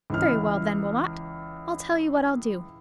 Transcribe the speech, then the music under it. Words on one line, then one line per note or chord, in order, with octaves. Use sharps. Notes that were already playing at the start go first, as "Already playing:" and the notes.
Very well, then, Wilmot, I'll tell you what I'll do.
C#2 E3 F6